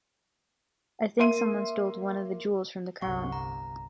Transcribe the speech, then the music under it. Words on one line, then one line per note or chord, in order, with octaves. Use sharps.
I think someone stole one of the jewels from the crown.
A#3 E5 C6 D#7
G1 C2 F#5 C#6
A#5